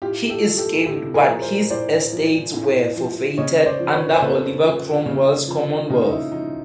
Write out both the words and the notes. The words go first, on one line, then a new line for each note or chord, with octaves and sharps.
He escaped but his estates were forfeited under Oliver Cromwell's Commonwealth.
A2 F4 G4
G4 A4
F3
G4 A4
A2 G4 A4
G#4 A#4
F3
A#4 C5
A2 C5 D5
F3
A2
F3
C#3 C#5 D#5
C5 D5
F3
B4 C#5
C5
C#3 A4 B4
F3
C#3
F3
C#3 D#4 F4
D#4
E4
F3 D#4